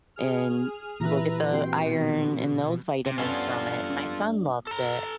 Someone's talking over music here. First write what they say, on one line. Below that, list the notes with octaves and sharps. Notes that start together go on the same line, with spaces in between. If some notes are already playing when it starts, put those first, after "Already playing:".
and we'll get the iron and those vitamins from it, and my son loves it."
G#4 F6
A#2 E3 G4 B4 E5 A#5
C4 F#4 G4 G5 C6
B2
C3
G2 B3 C#4 F4 A4
A4 A#5